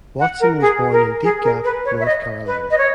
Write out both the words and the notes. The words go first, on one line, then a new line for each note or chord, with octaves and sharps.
Watson was born in Deep Gap, North Carolina.
F#5
A#4
G#4
A#4
G#4
A#4
B4
C#5
E5
D#5
B4
D#5
C#5